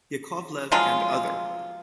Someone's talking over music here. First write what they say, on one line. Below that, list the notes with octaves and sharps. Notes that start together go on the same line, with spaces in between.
Yakovlev and other.
F3 F#3 G#3 F4